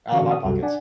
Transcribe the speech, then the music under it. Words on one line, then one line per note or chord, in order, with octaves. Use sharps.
out of our pockets.
D3 E3 C#4 F#4 C#6
D#6
C2 F#2 C3 G3 F#4 A4
D4 D5 F#5 G#5